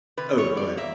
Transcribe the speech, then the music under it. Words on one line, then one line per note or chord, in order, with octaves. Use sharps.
Oh, go ahead.
C3 B4
C#5
E2
D5
A#3 E5